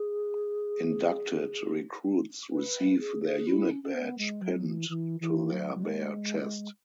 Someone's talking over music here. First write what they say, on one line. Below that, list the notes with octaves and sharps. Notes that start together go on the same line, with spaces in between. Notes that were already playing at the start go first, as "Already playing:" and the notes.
Inducted recruits receive their unit badge pinned to their bare chest.
Already playing: G#4
B4
G#4
G#4
E4
C#4
C#4
B3
G#3
F#3
E3
E3
E3
F#3
F#3
G#3